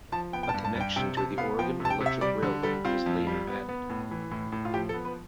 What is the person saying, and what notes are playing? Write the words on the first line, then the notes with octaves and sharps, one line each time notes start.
A connection to the Oregon Electric Railway was later added.
F3 A5
B3 G5
G5
A5
G2
A5
G2
G5
C3 G5
C3 A5
B3 F5
F3 G5
C3
A5
G5
C3
E5
G3 D5
D3
G3 A4
C4 F4
F2
G3
B3
B3
A2
E3
A2
A2
F4
F3 G4
A4
B3
B4